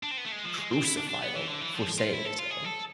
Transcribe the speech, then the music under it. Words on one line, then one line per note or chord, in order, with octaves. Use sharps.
crucify them for saying so.
D4
C4
B3
A3
G#3
F3
G#3
C4
E4
D4
D4
B3
E3
D3
E3
F3
F4
E4
A4
F4
G#4
A4